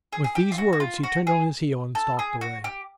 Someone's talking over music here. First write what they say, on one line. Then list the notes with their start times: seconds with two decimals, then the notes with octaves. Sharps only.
With these words he turned on his heel and stalked away.
0.13 G#4
0.24 G#4
0.35 G4
0.52 F4
0.58 F#4
0.73 F#4
0.80 F4
1.03 F#4
1.27 G#4
1.95 A4
2.19 G#4
2.41 F#4
2.64 G4